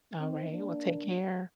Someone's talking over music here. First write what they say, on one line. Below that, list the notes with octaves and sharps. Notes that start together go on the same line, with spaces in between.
Alright. Well, take care.
C4 D#4
A#3 D4